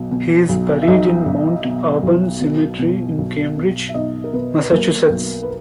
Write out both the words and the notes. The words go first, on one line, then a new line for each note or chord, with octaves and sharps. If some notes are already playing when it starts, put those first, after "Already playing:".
He is buried in Mount Auburn Cemetery in Cambridge, Massachusetts.
Already playing: B1 B2
B2
B1
E5
B1 D#4 D#5
B1
B2
B1
B2
B2
B1
B2
E5
B2 D#4 D#5
A#4
B2 B3 B4
B4
B1 A#3 A#4
B1
B4